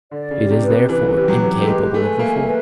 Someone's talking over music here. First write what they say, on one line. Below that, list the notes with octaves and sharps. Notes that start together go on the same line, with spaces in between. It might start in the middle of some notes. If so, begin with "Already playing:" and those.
It is, therefore, incapable of reform.
D3 D5
C#3
G4
C3
B4
C3
E3 B4
G4
F#3
G4
A3
G#3 B4
A3 G#5
A#3 E5
B4